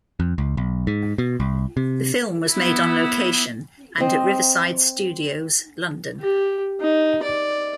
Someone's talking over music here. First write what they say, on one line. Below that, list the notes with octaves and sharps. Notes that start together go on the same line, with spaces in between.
The film was made on location and at Riverside Studios, London.
F2
C#2
B1
G#2
B2
C2
C3
B3 E4
C4 D#5
G4
D#4
D5